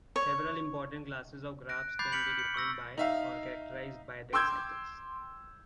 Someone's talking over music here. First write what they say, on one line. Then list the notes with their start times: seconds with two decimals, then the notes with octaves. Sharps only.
Several important classes of graphs can be defined by or characterized by their cycles.
0.16 C#5
1.69 F#6 A#6 D7
1.99 B5 D6 G6 A6 C7
2.12 F6 G6 B6 C#7 D7 F#7
2.39 C#7
2.54 C#6 D6 E6 A#6
2.98 D#4 E5 F5
4.33 G5 C6 D6 E6 G6 G#6